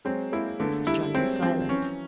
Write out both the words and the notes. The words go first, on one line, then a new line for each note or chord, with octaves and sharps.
Mr. John was silent.
F#3 G#3 C4
G#3 A#3 E4
D3 A3 B3
G3 A3 E4
F#3 G#3 C4
F3 G3 C4
E3 F#3 C#4